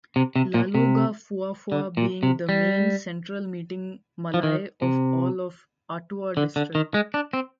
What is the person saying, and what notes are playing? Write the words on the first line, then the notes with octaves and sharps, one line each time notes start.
Lalogafuafua being the main central meeting malae of all of Atua district.
C3
C3
A#2
C3
D3
A#2
C3
G3
F3
D#3
C3
D3
D3
D#3
G#3
D4
C4